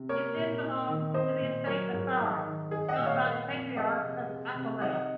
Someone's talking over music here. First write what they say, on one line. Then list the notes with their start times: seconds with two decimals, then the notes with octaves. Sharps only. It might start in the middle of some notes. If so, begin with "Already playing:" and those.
It then belonged to the estate of Farra, held by the Patriarchs of Aquileia.
Already playing: C3
0.09 A#3 A#4 C#5
0.36 A#2
0.63 D#4
0.88 D#3
1.14 C4 C5 D#5
1.41 A#2
1.67 F#3 A#4 C#5
1.93 G#2
2.19 D#4
2.45 D#3
2.71 D#4 G#4
2.89 D#5 F#5
2.98 A#2
3.06 C#5 F5
3.24 A#3
3.50 F2
3.76 G#3 D#5 F#5
4.02 C3
4.29 G#3
4.55 C3
4.81 D#4 D#5 F#5